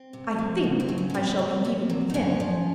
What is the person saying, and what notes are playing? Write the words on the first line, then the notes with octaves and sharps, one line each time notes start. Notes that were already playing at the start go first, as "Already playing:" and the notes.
I think I shall be even with him.'
Already playing: C4
C3
F3
C#3
C4
F#3
C#4
C#4
C3 C4
F#3
C3
F#3
D#4
F#2 C#4
F3